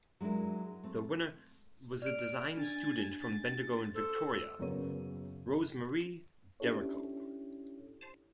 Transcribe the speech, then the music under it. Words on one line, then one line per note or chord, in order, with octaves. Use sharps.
The winner was a design student from Bendigo in Victoria, Rose-Marie Derrico.
F#3 G#3 D4 E4 A#4
A3 C4
D5 F6 D7
D4 G#5 A6
A6
A4 C5
F#2 C#3 B3 A#4 C#5 D#7
C#4 D4 E4 G4 A4 C#5